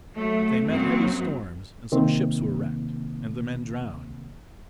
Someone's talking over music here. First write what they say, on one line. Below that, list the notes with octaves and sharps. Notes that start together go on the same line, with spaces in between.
But they met heavy storms, and some ships were wrecked, and the men drowned.
F#3 A3
F#2 F#3 A#3 C4
C3 D#3 A#3 C4